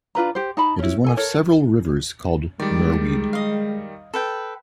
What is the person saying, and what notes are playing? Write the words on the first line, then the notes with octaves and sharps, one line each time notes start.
It is one of several rivers called Merwede.
D4 F4 B4 A#5
G4 C5
D#4 A5 B5
C#4 E4
A4 G#5
A4 A#4 C#5
D#3 G3 G#3 D5
D#5 F5
A4 B4 G5